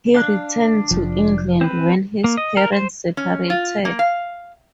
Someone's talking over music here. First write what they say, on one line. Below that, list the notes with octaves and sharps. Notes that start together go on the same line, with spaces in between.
He returned to England when his parents separated.
D4 F5 F#6
F1 F3
C4 B4
A#3
D#5
A#4
C5
C#4
F4
A#3
F5